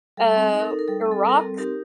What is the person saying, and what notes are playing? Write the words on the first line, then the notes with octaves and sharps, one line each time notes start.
Uh, Iraq,
G3 A4
C4
D#4
A#4
A4
D#4
A#4
G3 A4
C4
A4
G3
A#4
A4
C4
D#4 G4 A#4